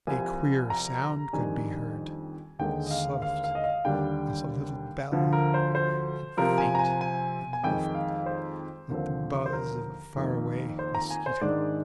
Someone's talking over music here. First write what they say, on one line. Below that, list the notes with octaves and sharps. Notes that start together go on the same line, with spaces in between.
A queer sound could be heard, soft as a little bell, and faint and muffled like the buzz of a far-away mosquito.
C2 C3 F3 C4 G#5
A#5
F2 D#3 G3 D4 G#5
D#2 D3 G#3 G5
D#5
F5
F5
F5
D#5
F5
D#2 D3 G3 D4 G5
D2 D3 F3
A#4
C5
C5
C3 F3 C4 A#4
G#5
A#5
G#5
G#5
G#5
F2 D#3 G#3 G5
F5
C5
D#2 D3 F3 C4
C5
A#4
F2 D#3 A#3
C5
A#5
G#5
C5
G#2 D#3 G#3 D4 D5